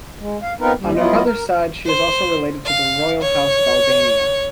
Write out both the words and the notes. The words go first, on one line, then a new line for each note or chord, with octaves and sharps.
On her mother's side she is also related to the Royal House of Albania.
G#3
F5
B3 C4 D#4 F4 A#4 B4
D#2 D3 G3
E3 F#3 B3 E4 F4 D#5
A#4
C5
F5
C#5